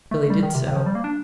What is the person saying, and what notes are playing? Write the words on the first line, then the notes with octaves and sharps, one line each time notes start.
Billy did so.
A3
G3
D#3
C3
D#3
F3
G3
A#3
D4